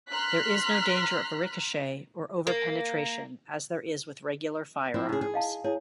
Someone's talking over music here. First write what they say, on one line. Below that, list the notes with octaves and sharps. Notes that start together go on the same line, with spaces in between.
There is no danger of ricochet or over-penetration as there is with regular firearms.
A#5 C6 F6 F#6 B6
A#3
F3 C4 E4
C#3 D#4 E4 G#4
G#4
D#5 F5 A5
E4 G#4 C#5